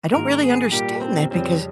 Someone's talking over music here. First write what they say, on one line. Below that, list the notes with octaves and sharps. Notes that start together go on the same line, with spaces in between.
I don't really understand that because
G#2 D#3 A#3 A#4
G#4
A#2 G3 A#3 G4
C4
F2 C#3 G3 C4 C#4